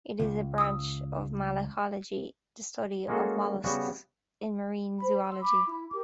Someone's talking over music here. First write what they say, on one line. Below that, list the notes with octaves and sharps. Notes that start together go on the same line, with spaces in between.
It is a branch of Malacology, the study of molluscs, in marine zoology.
C#2
D#6 E6
G#3 A#3 C#4 F#4 G#4 A4
C#3 G3 B3 F#4
C5 B5
C6 E6
B5 D6
E4
G4 A#4 D6